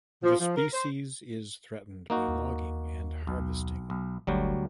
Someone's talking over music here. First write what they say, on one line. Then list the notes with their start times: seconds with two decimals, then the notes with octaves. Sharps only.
The species is threatened by logging and harvesting.
0.24 F3
0.40 F3
0.57 A#4
0.73 C5
2.10 A#3 D#4 F#4
2.28 D#2
3.27 B1
3.90 B1
4.27 G1 D2 F#3 G3